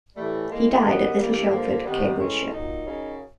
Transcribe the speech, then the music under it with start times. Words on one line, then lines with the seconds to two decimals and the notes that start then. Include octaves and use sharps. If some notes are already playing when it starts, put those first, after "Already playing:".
He died at Little Shelford, Cambridgeshire.
0.16 A2 E3 G3 A3
0.49 A2 E3 G#3 A#3
0.83 F#2 D#3 G3 B3
1.17 G2 E3 G3 A#3
1.50 G2 D3 F3 A#3
1.84 C3 D#3 G3 B3
2.18 A2 E3 G#3 C#4
2.52 A#2 F#3 D#4
2.85 F#2 C#3 F#3